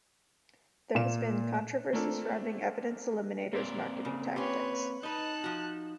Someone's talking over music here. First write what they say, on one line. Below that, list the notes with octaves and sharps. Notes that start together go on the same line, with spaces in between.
There has been controversy surrounding Evidence Eliminator's marketing tactics.
A#2 A#3 E7
A3 A#3 C4 D4 F4 A4
A#3 C4 D5
C#3
C#4 F4 G4 B4 C#5
D#4 B4 D#5 A5 F#6
F3 F#4